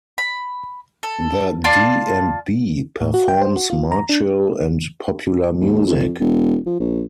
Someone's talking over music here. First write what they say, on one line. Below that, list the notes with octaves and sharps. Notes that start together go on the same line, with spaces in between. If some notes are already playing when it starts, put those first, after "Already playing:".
The D and B performs martial and popular music.
B5
A4
F4 D5 A5 C6
A2
F#4
G5
C5
F#4
F4
A#5
D4
D#2
F2
E1
F3
A#1